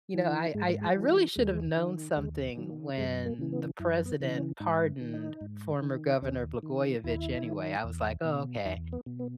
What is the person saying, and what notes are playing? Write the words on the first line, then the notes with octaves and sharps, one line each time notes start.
You know, I I I really should've known something when the president pardoned former governor Blagojevich anyway, I was like, "Oh okay."
E3
G#2 G#3
G#3
E3 F#3
G#3
D#2 G#3
D#3
D#2 G#3
D#3 F#3
F#2 G#3
A#3
C#3 E3
B3
F#2 E4
B3
C#3 E3
C#4
G#2 D#4
D#3
D#4
G#2
D#3
D#2 C#4
D#3
D#2 E4
D#3
E2
B2
E2 D#4
B3
B2
B3